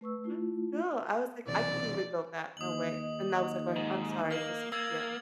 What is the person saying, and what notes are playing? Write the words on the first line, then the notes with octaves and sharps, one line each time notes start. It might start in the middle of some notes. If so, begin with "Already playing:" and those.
But still, I was like, "I couldn't rebuild that. No way." And I was like going, "I'm sorry. This is" Yeah.
A3 B4 C#6 E6
A3 E4 F4
B1 C3 E3 D5
D#2 D#5 D#6 F#7
G#2
A#3 F6 F#7
A#3 E6 G#6 A6